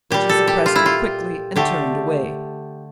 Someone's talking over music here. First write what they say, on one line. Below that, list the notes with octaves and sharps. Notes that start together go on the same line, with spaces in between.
She suppressed it quickly and turned away.
A#2 G3 G4
A4
G4
F4
E4
F4
D3 A3 G4